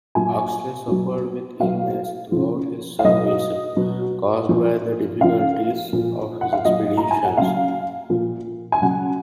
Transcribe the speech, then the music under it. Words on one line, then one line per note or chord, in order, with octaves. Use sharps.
Oxley suffered with illness throughout his service, caused by the difficulties of his expeditions.
A#2 F#3 G#5
B2 F#3
B2 F#3 F5
C#3 F3
F5
B2 F#3 D#5
B2 F#3
A#2 F3
C#3 F3 F5
A#2 F3
F#5
F5
A#2 F#3 D#5
A#5
G#5
F#5
C#3 F#3 F5
A#2 F3
G#5
C#3 F#3 F#5